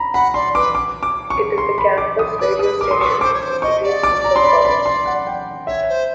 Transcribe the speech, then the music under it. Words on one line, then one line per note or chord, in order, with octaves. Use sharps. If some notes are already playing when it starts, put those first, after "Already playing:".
It is the campus radio station of the city's Humber College.
Already playing: A#5 B5
F#5 B5
D5 C6
B4 D6
D6
D6
C#6
C6
B5
D6
D#6
B4 D6
B4 D#6
A#4 D6
C6
B4 C#6
C5 D6
C#5
C5
D#5 C#6
D5
D6
A#5
C6
B5
B5
C6
F#5
G5
C#5 E5
C5